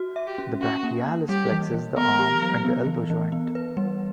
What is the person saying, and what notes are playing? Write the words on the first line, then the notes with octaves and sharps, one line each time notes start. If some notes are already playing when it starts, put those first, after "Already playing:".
The brachialis flexes the arm at the elbow joint.
Already playing: F#4
E5
G4
C#4
C#4 F#4
A#3
A#3
G3 G4
E3
E3
B3 A#4
G4
F#3
B3
E3
E3
B3
B4
G3